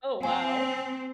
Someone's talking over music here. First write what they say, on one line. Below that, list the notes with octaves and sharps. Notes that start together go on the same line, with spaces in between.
Oh, wow.
C4 G#5